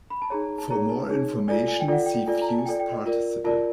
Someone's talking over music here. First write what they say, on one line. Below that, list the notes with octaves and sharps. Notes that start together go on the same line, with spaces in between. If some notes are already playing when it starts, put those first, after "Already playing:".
For more information see fused participle.
B5
A5
D#4 G#4 C#5 A#5
A5
D#4 G#4 C#5 A#5
A5
D#4 G#4 C#5
F4 A4 D5 G#5
G#5
G5
F4 A4 D5 F#5
G5
F4 A4 D5 G#5
A#5
A5
G#5
F4 A4 D5 G5
G5
D#5
F4 A#4 D5
F4 A#4 D5 A5